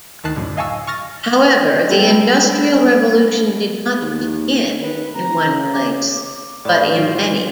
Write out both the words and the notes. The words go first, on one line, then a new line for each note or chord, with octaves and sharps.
However, the industrial revolution did not "begin" in one place, but in many.
D2 D#3 A5 F#6 C7
F#2 A2 D3
D#5 F5 G#5 A5 C#6 E6
C#6 F6 A6 A#6
G3 A3 B3 F4 A4 G5
D#2
D#3 B4
F1 A#5
C#3
D6
A2 D5 B5
F#3 F4 D7